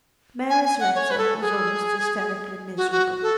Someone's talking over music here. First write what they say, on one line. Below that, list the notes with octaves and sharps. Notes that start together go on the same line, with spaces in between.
Mary's letter was almost hysterically miserable.
G#5
G#5
F#5
C#5
B4
A4
G#4
F#4
F#4
A4